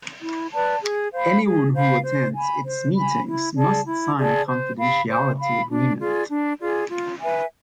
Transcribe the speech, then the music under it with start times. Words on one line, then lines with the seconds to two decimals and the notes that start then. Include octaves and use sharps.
Anyone who attends its meetings must sign a confidentiality agreement.
0.22 E4
0.53 B4 D5 A5
0.83 G#4
1.14 C5 F5 B5
1.44 G#4
1.74 C5 F5 B5
2.05 C5
2.35 G#5 B5
2.66 C5
2.96 G#5 B5
3.26 E4
3.56 G#4 D5 A5
3.87 E4
4.17 G#4 D5 A5
4.48 C5
4.78 F5 B5
5.08 C5
5.39 F5 B5
5.69 D4
5.99 F4 G#4 D5
6.29 D4
6.60 F4 G#4 D5
6.90 F4
7.20 B4 E5 G#5